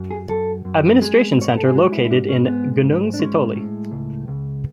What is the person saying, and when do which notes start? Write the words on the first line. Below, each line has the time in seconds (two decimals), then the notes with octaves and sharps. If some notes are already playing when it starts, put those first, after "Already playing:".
Administration center located in Gunung Sitoli.
Already playing: F#2
0.11 G#4
0.29 F#2 A4
0.65 F#2
1.02 G#3 G#4
1.38 G#2 C#5
1.49 B4
1.57 A4
1.66 G#4
1.74 G#3 F#4
1.92 E4
2.05 E4
2.10 G#2 D4
2.29 C#4
2.46 G#3 B3
2.83 G#2
3.14 D4
3.19 G#3 C#4
3.56 A2
3.91 C#2
4.28 C#2